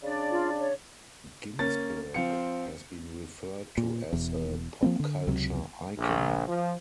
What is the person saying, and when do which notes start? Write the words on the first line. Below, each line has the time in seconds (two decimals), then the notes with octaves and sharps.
Ginsburg has been referred to as a "pop culture icon".
0.03 C#3 D4 D5
0.31 F4
0.59 C#5
1.59 A#3 C#4 A6
2.14 F3 C4 F5 C#7
3.78 A#2
4.13 E1 E2
4.83 F3 A#3 C4
5.00 D3
5.27 C#2 C3 F#3
5.99 A#1
6.47 F3